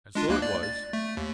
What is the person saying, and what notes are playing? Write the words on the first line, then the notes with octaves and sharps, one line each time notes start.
And so it was.
G#3 D4 F4
D2 A#3 F#6
D5
A6
A3
D#2